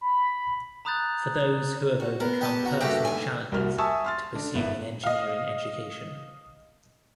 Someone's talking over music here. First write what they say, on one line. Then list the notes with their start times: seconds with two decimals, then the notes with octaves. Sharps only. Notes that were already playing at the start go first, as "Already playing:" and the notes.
For those who have overcome personal challenges to pursue an engineering education.
0.01 B5
0.85 A#5 B5 D#6 F#6 G6 A6
2.00 F#4
2.20 B3 A#4
2.41 G4 D#5 A5
2.65 F#4 A#5
2.81 G2 A3 A#3 F#4 G4 G5
3.05 D#2 G#5
3.52 C2 G3 A#3 F#4 F6
3.78 E5 G#5 A5 C#6 D#6 E6
4.05 C6 F6 A6
4.34 D3 D4
4.55 G#1 B3 E5
5.04 D#5 F5